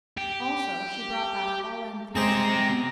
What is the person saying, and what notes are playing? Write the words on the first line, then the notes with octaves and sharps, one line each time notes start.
Also she brought back all Anthea's money.
G4
G#3 C4 G4 G#4 C5 A#5